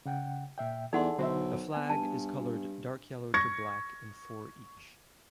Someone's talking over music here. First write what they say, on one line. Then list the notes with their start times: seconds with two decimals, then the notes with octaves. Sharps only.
The flag is colored dark yellow to black in four each.
0.06 C#3 F#5 G5
0.58 A#2 E5 G5
0.93 E2 D#4 G#4 A4 D5 F#5 C6
1.18 B1 D3 F#4 C5 E5
1.74 B3 G#5
1.90 G2 A5
3.34 C#6 G#6 A#6 C#7